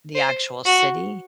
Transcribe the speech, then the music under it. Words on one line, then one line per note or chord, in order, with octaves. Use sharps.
the actual city
C5
F#4